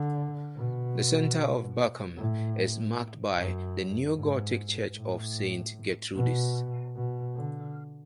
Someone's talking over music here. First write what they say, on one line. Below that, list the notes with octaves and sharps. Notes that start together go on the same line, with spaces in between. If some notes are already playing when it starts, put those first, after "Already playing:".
The center of Bockum is marked by the neogothic church of Saint Gertrudis.
Already playing: D3
B2
A2
F#2
G#2
A2
B2
B2
D3